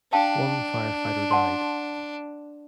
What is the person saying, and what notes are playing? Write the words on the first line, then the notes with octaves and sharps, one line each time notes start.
One firefighter died.
D4 F5 G5 A5
F#5 A5 C6